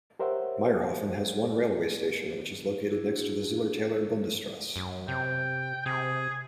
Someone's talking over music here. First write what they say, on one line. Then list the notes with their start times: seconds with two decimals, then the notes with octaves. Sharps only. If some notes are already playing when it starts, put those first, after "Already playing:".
Mayrhofen has one railway station, which is located next to the Zillertaler Bundestrasse.
0.19 G4 A#4 C5 C#5 E5 F#5
2.90 D4 E4 F#4 G#4
4.76 F#2
5.08 C3 G5
5.86 C3 G#4